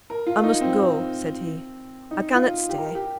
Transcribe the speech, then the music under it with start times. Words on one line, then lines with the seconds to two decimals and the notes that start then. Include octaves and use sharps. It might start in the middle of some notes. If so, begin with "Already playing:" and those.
'I must go,' said he, 'I cannot stay.
0.10 A#4
0.26 F4
0.43 D#4
0.61 C4
2.11 D#4
2.34 F4
2.69 G4
2.78 A#4
2.95 G4